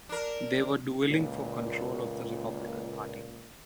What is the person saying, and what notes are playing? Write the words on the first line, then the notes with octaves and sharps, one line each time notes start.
They were dueling for control of the Republican Party.
D4 A#4
C#2 A#2